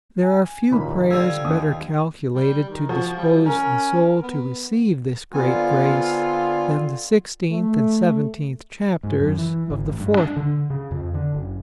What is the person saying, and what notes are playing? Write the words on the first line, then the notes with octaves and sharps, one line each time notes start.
There are few prayers better calculated to dispose the soul to receive this great grace than the XVI. and XVII. chapters of the IVth.
G#5
F1 D#2 A#2 D#3 B5
D3 F3 G3 E6 G#6
D#2 D#6
G3
D#3
F3 F#4
G3
C#4 A#4
B3
D3 B3 C4 F4 G#5
A3
G#2
F#2
E3
G#1
A1
G2
D4
D3
C#3
F2
D3
F#1